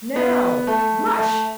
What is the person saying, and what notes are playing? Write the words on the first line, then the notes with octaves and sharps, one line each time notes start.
"Now, MUSH!"
B3
A3
A3